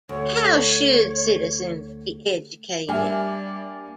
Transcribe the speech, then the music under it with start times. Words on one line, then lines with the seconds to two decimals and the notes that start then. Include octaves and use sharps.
How should citizens be educated?
0.09 D2 C#5
2.89 G3 A#3 D4 G4 D5 E5 G#5 F6